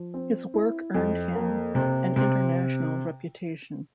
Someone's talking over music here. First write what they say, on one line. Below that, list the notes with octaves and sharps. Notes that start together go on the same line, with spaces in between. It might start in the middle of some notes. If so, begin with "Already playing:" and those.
His work earned him an international reputation.
Already playing: F3
C4
E4
F2
A#3
C3
C3